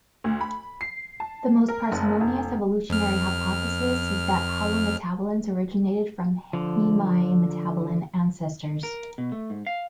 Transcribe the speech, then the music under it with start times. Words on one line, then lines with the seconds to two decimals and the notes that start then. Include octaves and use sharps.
The most parsimonious evolutionary hypothesis is that holometabolans originated from hemimetabolan ancestors.
0.24 D2
0.41 B5
0.81 C7
1.20 A5
1.68 A#4
1.92 F#1
2.21 F1
2.90 F2 F6
6.53 D3 F3
8.83 A#4
9.18 B2
9.32 A3
9.50 G#2
9.67 F5